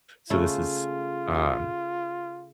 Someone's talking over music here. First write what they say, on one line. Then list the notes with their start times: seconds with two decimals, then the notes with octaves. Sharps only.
So, this is, um,
0.30 C#3 A3 F4